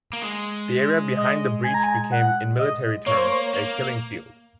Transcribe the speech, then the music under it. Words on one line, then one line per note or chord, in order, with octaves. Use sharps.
The area behind the breach became, in military terms, a "killing field".
A#3
G#3
D#5
G#5
A#5
G#5
F#5
D#5
A#3 C#5
C5
C#5
A#3